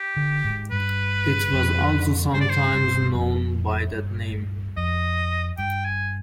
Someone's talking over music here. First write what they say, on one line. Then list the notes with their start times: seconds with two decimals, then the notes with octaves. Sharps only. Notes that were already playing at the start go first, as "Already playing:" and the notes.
It was also sometimes known by that name.
Already playing: G4
0.16 D3
0.44 G#2
0.71 G2 B4
1.53 F2
2.34 G2 C5
2.41 D5
2.49 C5
2.75 G2
3.14 F2
3.95 G2
4.77 F2 D#5
5.58 G2 G5
5.85 G#5